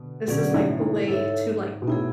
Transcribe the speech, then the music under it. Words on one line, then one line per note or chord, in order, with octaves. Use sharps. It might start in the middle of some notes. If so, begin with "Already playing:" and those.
this is, like, a way to, like,
Already playing: B2 D3
B2 D3 F#3 C#4 G#4 D5 F#5
A2
A2
G#2 E4 A4 C#5 E5
B2
A2 B3 E4 G#4